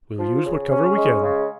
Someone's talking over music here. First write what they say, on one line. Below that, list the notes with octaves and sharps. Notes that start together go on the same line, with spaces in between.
"We'll use what cover we can."
F3
C#3
C#4
G#3
C#3